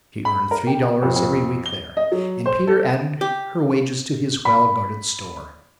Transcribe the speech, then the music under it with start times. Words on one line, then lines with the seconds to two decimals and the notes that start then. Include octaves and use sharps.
She earned three dollars every week there, and Peter added her wages to his well-guarded store.
0.25 B5
0.51 A#4
0.67 G4
1.03 F2
1.16 F2
1.66 G7
1.97 D#5
2.12 F#3
2.46 C5
2.67 A4
3.21 G4
4.45 B5